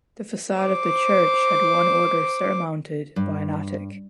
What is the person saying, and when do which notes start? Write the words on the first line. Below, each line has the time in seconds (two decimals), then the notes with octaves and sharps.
The facade of the church had one order surmounted by an attic.
0.58 C5 D6
3.16 G2